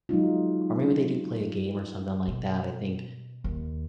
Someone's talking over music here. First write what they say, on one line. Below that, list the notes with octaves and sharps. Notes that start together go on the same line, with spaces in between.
or maybe they do play a game, or something like that. I think
F#3 G#3 D#4 F4
B2
D#2